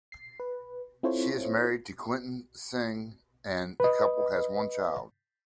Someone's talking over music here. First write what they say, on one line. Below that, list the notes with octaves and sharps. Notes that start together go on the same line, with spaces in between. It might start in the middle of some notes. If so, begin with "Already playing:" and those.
She is married to Quinton Singh and the couple has one child.
C7
B4
C4 E4 F4 A4 C5 C#5
B4 D#5